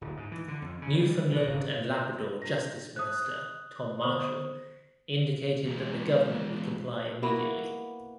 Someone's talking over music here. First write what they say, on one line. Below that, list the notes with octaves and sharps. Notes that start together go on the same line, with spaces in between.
Newfoundland and Labrador Justice Minister Tom Marshall indicated that the government would comply immediately.
D1
G#2
E3
D3
F2
C#3
G3
B2
G#1
D4 F4 A4 A#6
C5 E5 A5 D#6 F#6
D3 B3 C5 D#6
E2 G#3
A#3 B3 E4 F#4